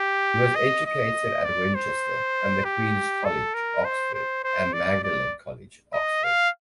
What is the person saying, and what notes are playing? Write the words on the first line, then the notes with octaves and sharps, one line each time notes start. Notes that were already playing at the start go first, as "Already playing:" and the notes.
He was educated at Winchester and at Queen's College, Oxford, and Magdalen College, Oxford.
Already playing: G4
D#5
D#5
D5
C5
G4
A4
A#4
C5
C5
C5
D5
D5
D#5
F5